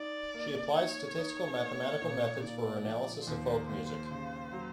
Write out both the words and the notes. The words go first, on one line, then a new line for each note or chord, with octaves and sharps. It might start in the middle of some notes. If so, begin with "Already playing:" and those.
She applied statistical-mathematical methods for analysis of folk music.
Already playing: D#4 D5
A#3
D#4 C#5
D#4
A#3
A#2
A#2 D5
F3
D#2 C5
D#2
C#3
F#3